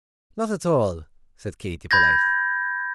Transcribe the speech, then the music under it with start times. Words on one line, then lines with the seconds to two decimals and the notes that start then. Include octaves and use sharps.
"Not at all," said Katy, politely.
1.91 B5 G6 G#6 A#6